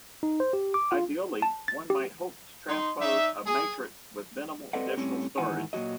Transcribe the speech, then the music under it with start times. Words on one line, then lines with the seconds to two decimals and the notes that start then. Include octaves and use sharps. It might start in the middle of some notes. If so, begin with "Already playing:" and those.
Ideally, one might hope to transpose a matrix with minimal additional storage.
0.23 D#4
0.40 C5
0.53 G4
0.74 D6
0.92 F4
1.42 A5
1.68 A6
1.90 G4
2.69 D#4 C6
3.01 D#4 D5 E5
3.46 G#4
4.73 C4 A4 B4 D5 D#5 F#5
4.97 A2 G3 C4 C#4
5.38 G#2 D#3 E3 E4 F#5 G#5
5.73 A#2 E3 F#3 F#4 D#5